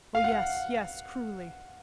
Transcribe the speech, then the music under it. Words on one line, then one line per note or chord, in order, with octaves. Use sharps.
"Oh, yes, yes, cruelly!"
F5
F#5
F5